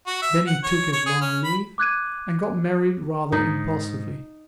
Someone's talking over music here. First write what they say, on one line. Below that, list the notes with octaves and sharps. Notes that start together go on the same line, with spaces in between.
Then he took his long leave, and got married rather impulsively.
F#4
E5
F#5
C#5
C#5
G#4
C#4
B5
D6 F#6 G#6 D#7
G#2 D#4